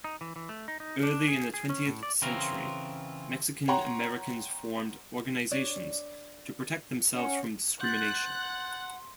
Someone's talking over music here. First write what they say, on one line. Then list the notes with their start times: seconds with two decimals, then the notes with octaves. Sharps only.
Early in the twentieth century, Mexican Americans formed organizations to protect themselves from discrimination.
0.04 D#4
0.21 E3
0.36 E3
0.49 A3
0.68 D#4
0.80 D#4
1.03 D4
1.28 G#4
1.54 G#4
1.69 C#4
1.87 A2
2.03 D5
2.22 C#3 E3 C4 F4 A#4
3.68 C#5 F#5 G5 A#5 C6
5.51 D4 C#5 D5
7.15 C#4 F#5
7.81 F#5 C6 F#6 G6 A6